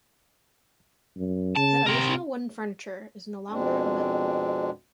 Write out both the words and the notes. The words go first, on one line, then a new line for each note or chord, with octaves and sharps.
The original wooden furniture is no longer available.
F#2
C#3 A5
C3 C4 A#4
F2 B2 G#3 C4 D4